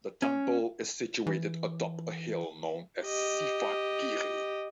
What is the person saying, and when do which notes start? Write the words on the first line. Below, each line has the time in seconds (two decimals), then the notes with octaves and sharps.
The temple is situated atop a hill known as Sivagiri.
0.22 C#4
1.27 E3
3.03 G4 D#5